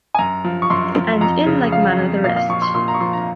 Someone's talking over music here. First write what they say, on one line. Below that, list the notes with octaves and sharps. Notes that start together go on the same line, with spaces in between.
And in like manner the rest.
G#5
F#2 A#5
F3
C#6
F#2 C6
F3
F2 A#5
C#3
F3 F5
F2
A#2 F5
F5
F3 C#6
C6
A#2 C6
A#5
C#6
F3 C6
A#5